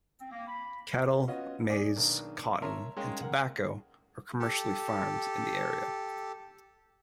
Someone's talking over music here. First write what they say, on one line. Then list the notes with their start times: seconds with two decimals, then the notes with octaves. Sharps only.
Cattle, maize, cotton and tobacco are commercially farmed in the area.
0.20 C4
0.32 A#3
0.48 B5
1.28 B3 C#4 F4 F#4 D#5
1.69 G#4 D5 G#5 D6
1.96 B1 D#3 D4
2.62 A#4 C#5 E5 A5 A#5 C6
2.97 G#3 A#3 C#4 G5 C6
3.22 A#4 F#5
4.40 G4 A4